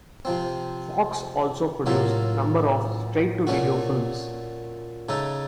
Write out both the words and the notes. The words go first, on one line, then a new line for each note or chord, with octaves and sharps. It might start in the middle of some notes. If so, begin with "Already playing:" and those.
Fox also produced number of straight-to-video films.
C3 F3 C4
A2 F#3 A#3 F4 A4
A#2 A3 C#4 F#4
C#3 A3 D#4 A4